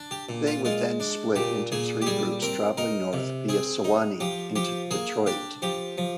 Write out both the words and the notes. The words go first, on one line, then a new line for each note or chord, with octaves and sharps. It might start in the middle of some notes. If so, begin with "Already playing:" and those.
They would then split into three groups traveling north via Sewanee into Detroit.
Already playing: D4
G4
A#2
F4
G#3 F4
D4
A#2 G4
A#2 G#4
G4
G3 G#4
C4 A#4
D#4 A#4
C3
C4 G#4
D#4
F3 G4
F3 G4
A#3 G#4
D4 G4
F3 G4
F3